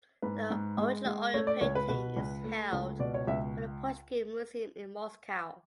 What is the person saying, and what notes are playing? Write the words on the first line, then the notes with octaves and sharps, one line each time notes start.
The original oil painting is held by the Pushkin Museum in Moscow.
G#2 B4
G#2
G#3
G#3
A3 C#5
D5
C#2 C#5
B4
B2 B4
C#2
A3
C#2
B2 D5
C#5
C#2 E5